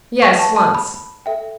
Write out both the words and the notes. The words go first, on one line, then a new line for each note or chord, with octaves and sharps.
"Yes, once."
B4 E5 G5 C#6
A5
A5
B5
A4 E5 G5